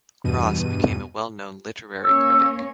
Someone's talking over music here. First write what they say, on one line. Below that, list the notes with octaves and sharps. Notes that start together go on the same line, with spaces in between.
Cross became a well-known literary critic.
E2 G2 B2 D#7
A#3 C#4 C#5 E6